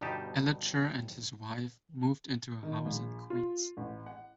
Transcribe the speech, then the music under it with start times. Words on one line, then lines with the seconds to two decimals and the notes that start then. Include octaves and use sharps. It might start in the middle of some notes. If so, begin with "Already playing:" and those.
Elitcher and his wife moved into a house in Queens.
0.01 G1 G2 B2 D#4 G4 A5
2.63 D#3
2.85 A#1
3.30 F4
3.77 A1
4.06 F#5